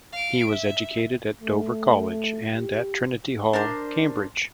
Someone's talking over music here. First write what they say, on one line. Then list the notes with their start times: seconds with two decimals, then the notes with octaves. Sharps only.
He was educated at Dover College and at Trinity Hall, Cambridge.
0.13 F5 D7
0.48 E5
1.40 A3
2.55 G4
3.53 D4 A#4 C5